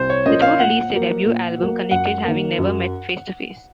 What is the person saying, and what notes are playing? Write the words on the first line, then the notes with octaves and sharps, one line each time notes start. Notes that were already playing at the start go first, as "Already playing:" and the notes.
The two released their debut album, "Connected", having never met face to face.
Already playing: C2 C5
C#5
A#2 F3 A#3 C#4 D#5
F5
A#2 F#5
F#3 A#3
A#2
F#3 A#3
F#2 F#5
D#3 A#3
F#2